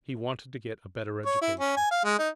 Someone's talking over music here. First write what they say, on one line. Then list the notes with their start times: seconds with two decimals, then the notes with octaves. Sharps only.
He wanted to get a better education.
1.26 C#5
1.42 E4
1.60 C#4
1.77 G#5
1.91 F5
2.04 G#3
2.19 D#4